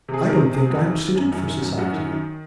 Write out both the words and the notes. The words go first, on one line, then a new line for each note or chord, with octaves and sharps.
'I don't think I'm suited for society.'
C3
G#4
D#3
A#4
G#4
C3
C3 G#4
F2
D#3
D#3
F#2
F#2
D#3
F#2
F#2 F#4
D#3
D#3